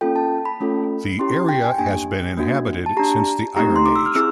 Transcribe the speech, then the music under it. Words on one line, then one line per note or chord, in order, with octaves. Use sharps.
The area has been inhabited since the Iron Age.
A#3 C#4 F4 A4 G5
A5
B5
A3 C#4 F4 A4
C#4 E4 G4 C6
G5
G#5
A#3 D4 G4 G#5
A#3 D4 F#4
A5
D4 G4 A#5
A3 C4 D#4 G4 A#5
C6
D6
E6
F6
C4 E4 G#4 E6